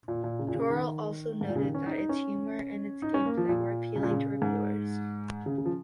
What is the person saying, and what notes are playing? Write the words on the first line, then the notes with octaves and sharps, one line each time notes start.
Torill also noted that its humour and its gameplay were appealing to reviewers.
A#2
A#2
C#3
A#2
C#3
D#3
G#2
A#2
C#3
D#3
C#4
D#4
D#4
C#4
D#4
C#4
A#3
F3
A#2
C#3
A#2
C#3
G#2
C#3
C#3
F3